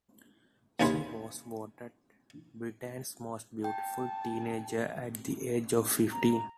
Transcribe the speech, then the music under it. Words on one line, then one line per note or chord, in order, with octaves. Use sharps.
She was voted Britain's most beautiful teenager at the age of fifteen.
D#2 C3 C#4 G#4 B4 C6
G5 A5
A#5